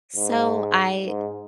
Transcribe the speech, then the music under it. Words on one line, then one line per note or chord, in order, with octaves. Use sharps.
So, I
G#2
G#2